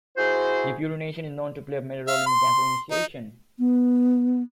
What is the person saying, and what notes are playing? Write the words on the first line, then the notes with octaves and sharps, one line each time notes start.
Depurination is known to play a major role in cancer initiation.
E4 F#4 G#4 C5
E5 F5
C6
D#4
B3